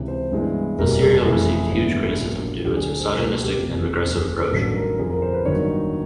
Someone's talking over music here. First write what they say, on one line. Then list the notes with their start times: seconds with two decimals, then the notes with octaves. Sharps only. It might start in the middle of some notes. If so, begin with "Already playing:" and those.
The serial received huge criticism due to its misogynistic and regressive approach.
Already playing: C#2 C3 E3
0.08 C5
0.32 G2 E3 G#3 B3
0.78 F#1 E2 B2 G3 A#4
1.02 A4
1.25 F2 C#3 E3 A3 G#4
1.72 G1 G2 E3 G#3 B3
2.18 A#1 A#2 F#3 A#3
2.65 D2 D3 F#3 G4
2.77 G#4
2.88 A4
3.00 C5
3.12 C#2 B2 F#3 A3 A#4
3.28 A4
3.43 G4
3.58 F#1 F2 C3 F3 A#3
4.05 F1 D#2 C#3 G#4
4.52 A1 G2 D#3 F#3 A4
4.76 A#4
4.98 F2 C#3 F3 G#4
5.10 A#4
5.22 C5
5.34 B4
5.45 G1 G2 D#3 F#3 A#3 C#5